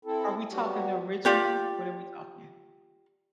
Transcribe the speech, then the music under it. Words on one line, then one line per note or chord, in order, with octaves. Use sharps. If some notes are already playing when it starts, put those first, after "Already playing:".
are we talking the original? What are we talking?
C4 E4 A4
F#3 G3 B3 F#4 G4
F4 G4 D5